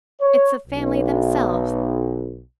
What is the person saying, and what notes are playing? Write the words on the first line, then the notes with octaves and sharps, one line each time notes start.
It's the family themselves.
C#5
B1